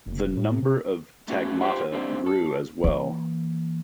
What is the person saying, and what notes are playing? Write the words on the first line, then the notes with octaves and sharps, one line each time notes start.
The number of tagmata grew as well.
F1
A2
C3
A3 C#4 F#4 G#4
C#2 E3 F4 G4 C5 F#5
D3 E3 G3 A#3 C4 D4
A4
E3 A#3